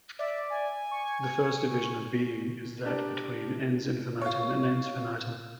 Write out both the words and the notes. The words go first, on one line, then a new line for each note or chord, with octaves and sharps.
The first division of being is that between "ens infinitum" and "ens finitum".
D5 E5
G#5
C#6
D4 G4 A#4 D5 A5
F4 C#5